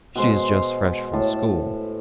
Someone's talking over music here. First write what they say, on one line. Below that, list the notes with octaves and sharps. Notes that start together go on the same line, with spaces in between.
"She is just fresh from school."
B2 G#3 C5
A2 A5